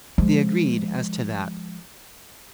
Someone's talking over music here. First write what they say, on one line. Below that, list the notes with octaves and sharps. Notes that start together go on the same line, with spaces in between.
They agreed as to that.
F3 G#3